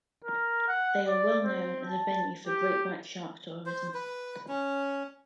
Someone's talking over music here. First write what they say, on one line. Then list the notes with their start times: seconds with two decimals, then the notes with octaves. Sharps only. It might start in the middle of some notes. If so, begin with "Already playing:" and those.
They are well known as a venue for great white shark tourism.
0.25 A#4
0.68 F#5
1.07 D5
1.43 C4
1.86 A5
2.47 G4
3.66 C5
3.94 B4
4.48 C#4